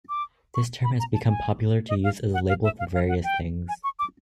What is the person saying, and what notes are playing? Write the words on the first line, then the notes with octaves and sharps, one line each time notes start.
This term has become popular to use as a label for various things.
D6
C#6
B5
A#5
A5
G#5
D#5
F5
F#5
F5
E5
F5
F5
F#5
G5
G#5
C#6
D6